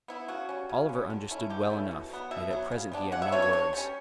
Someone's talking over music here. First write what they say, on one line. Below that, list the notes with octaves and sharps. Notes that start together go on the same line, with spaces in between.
Oliver understood well enough, yet at present he had no words.
B3 E4
C#3 F#4
G3 C#4
C#3
G3 C#4
D3
A3 C#4 E4
D3 G4
A3 C#4 E4
B2
F#3 B3
B2 E5
F#3 B3
C#3
G3 B3 D4
C#3 F#5
E5
G3 B3 D4 C#5
C#5
D3 C#5
G3 C#4